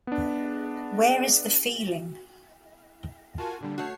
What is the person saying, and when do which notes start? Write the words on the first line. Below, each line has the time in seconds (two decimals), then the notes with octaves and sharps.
Where Is the Feeling?
0.07 B3 D4
3.38 F4 F#4 A#4 G#5 A5
3.61 A#2 D3 G3 D4
3.78 A3 F#4 C#5 C7